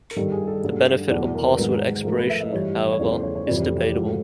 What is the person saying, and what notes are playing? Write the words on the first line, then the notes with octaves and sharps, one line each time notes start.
The benefit of password expiration, however, is debatable.
A#4
G2 D#3 G3 A4
G#4
A4
G2 D3 F#3 A3
E2 B2 F#3 A3 D5
A4
A#4
B4
G#2 D#3 F#3 B4
A2 F3 A3 A#4
B4
E5
D#5
G2 E3 G3 C#5
C#5
E2 C#3 F3 A3 D5
C5
C#5
C#5
F2 C3 E3 G3 D5
A4
G4
G#2 F3 A3 F#4